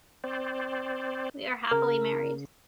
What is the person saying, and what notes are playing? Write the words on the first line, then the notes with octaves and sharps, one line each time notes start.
We are happily married.
C4 C5 D5
C#3 A#4